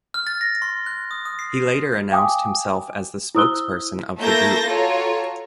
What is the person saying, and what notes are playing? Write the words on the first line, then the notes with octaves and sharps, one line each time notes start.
He later announced himself as the spokesperson of the group.
F6
A6
A#6
C6
F#6
D#6
D#6
C7
F5 G5 G#5 D6 D#6
E4 C5 D#6 E6 F#6 G7
A3 A#3 E4 G6 A6 A#6
F4 F#4 A4 C#5 A#5